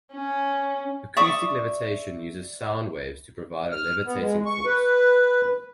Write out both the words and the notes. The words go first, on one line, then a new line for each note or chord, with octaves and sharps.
Acoustic levitation uses sound waves to provide a levitating force.
C#4
D5 E5 C#6 D#6
F6
B3
G#3
C#6
B4